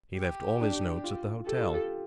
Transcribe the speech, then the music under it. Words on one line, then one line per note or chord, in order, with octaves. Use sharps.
He left all his notes at the hotel.
G4
D4
F4
G4 A4
F4
G4